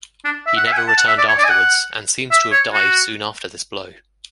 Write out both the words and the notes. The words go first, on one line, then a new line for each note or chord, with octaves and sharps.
He never returned afterwards, and seems to have died soon after this blow.
D4
E5
F#5
E5
G#5
F#5
A5
F#5
E5
D5
C#5
D5
G#5
F#5
E5
C#5
F#4